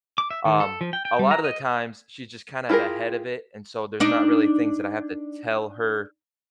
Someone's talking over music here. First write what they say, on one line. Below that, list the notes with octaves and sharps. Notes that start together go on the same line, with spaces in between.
um, a lotta the times she's just kind of ahead of it and so there's not really things that I have to tell her,
D6
E5
D#3
A4
F3
G5
G5
G3
A#5
D#5
E4 F4 G4 G#4 A#4
D4 D#4 D5